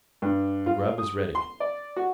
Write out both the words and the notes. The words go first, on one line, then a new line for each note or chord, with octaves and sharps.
The grub is ready.
G2
F4
D#6
C6
D5
F#4